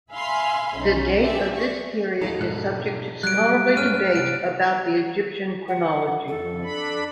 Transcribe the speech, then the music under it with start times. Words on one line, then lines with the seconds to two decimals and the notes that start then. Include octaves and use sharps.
The date of this period is subject to scholarly debate about the Egyptian chronology.
0.11 E5 F5 G#5 B5 C6
0.77 B1 C#4 D#4
1.21 C4 D4 G4 G#4 D5 E5
1.55 C#6
2.21 D#2 F#3 D#4 E4 A4
2.40 E1 G#2 F#6
3.23 F#3 G3 F#6 G#6 D7
3.77 G2 G#3 C#4 C5 G#5 F6 D#7
4.15 C2 E3 A6 D7
5.68 F#5
6.28 F2 A4
6.64 D4 B5